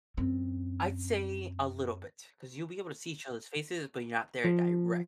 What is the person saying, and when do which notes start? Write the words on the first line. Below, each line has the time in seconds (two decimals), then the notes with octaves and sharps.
I'd say a little bit, 'cause you'll be able to see each other's faces, but you're not there direct.
0.17 F#2 C4
4.44 F3